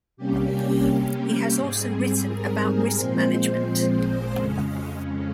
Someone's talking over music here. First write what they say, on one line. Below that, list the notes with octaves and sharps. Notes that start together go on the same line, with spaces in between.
He has also written about risk management.
C3 G3 A#3 C#4 G4
G#2 G3 C4 G#4
A#4
A#2 F3 G#3 C4 C5
F2 C#3 G#3 C#4